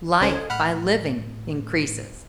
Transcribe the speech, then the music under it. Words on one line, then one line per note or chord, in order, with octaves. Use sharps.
Life, by living, increases.
C#2 C#4 A4 C5 D#5 G#5
A2 F#5 B5 F6